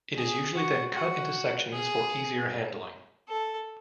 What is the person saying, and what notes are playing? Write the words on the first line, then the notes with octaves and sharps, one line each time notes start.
It is usually then cut into sections for easier handling.
G#4
F#4
F#4
G#4
A4